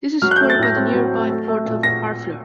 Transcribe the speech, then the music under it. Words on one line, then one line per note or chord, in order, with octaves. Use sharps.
This was supported by the nearby port of Harfleur.
F#3 F6
F#6
A3 G6
A6
A2 A#6
C4
F#3
A3
A3
A3
A#2
A#2 A#6